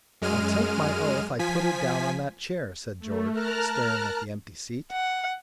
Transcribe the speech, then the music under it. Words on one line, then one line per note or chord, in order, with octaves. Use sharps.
"I'll take my oath I put it down on that chair," said George, staring at the empty seat.
F#2 G#3 F6 D#7
F3 G#5 B6
A3
A#4 A5 A#5 F6 F#6
F#5